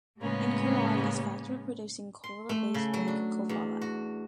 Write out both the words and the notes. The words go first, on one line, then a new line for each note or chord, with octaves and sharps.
In Krnov is factory producing cola-based drink Kofola.
A2 C#3 G#3 A#3 B3 C#4
C6
A3
C#3
F#3
D4
E2
F#4